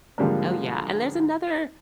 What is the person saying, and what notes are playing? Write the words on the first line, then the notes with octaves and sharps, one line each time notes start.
Oh yeah, and there's another,
G#2 D3 F3 G3 G#3 A#3